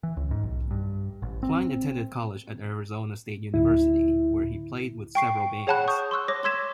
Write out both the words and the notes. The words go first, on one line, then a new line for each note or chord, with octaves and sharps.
Clyne attended college at Arizona State University, where he played with several bands.
E3
C#2
G#2
B1
G2
A1
C4
D2 A2 E4
G5 C#6 C7 D7
G#4 C#5 F#5 A5 B5 F#6
C#6 D#6 G6
C6 C#6 E6 F#6
C#5 D6 A#6
C6 E6 G#6 B6 E7